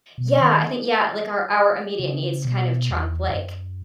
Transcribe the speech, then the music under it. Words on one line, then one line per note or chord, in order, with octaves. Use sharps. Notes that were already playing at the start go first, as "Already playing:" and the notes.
Yeah, I think, yeah, like, our our immediate needs kind of trump, like
B2
D#3
C#3
B2
E2
G#2
F#2